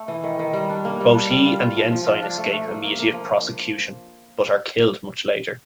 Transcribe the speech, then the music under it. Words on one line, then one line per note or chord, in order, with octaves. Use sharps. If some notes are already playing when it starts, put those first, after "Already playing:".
Both he and the ensign escape immediate prosecution but are killed much later.
Already playing: A3
E3
D#3
D#3
G3
D4
A#3
G3
D4
G3
F4
F4
F3
F3
F4
D4
A3
A3
A#3
A#3
A#3
F3